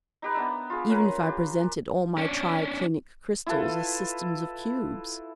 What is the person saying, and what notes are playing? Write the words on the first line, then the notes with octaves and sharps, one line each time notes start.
Even if I presented all my tri-clinic crystals as systems of cubes----!
D#4 G4 B4
B3 D4 E5
F4 G#4
C#4 A#4 B4
G4
C#4 D4
E4 F4 A4 B4